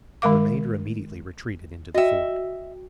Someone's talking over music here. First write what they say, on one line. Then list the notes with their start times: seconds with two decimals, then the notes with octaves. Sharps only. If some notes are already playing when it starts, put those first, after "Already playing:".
The remainder immediately retreated into the fort.
0.22 D#3 G#3 A#4 F5 D6
1.94 F#4 D#5 E5 G5